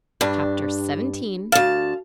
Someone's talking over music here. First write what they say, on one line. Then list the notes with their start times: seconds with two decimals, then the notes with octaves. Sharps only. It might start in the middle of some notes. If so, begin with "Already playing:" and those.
Chapter XVII.
0.21 G2 G3 D4
1.52 D2 F5 A5